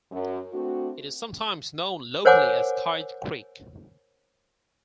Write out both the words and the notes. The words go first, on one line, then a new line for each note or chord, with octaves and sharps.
It is sometimes known locally as "Kyte Creek".
F#2
A3 C4 D4 F#4
A#4 C5 C#5 F#5 G#5 D6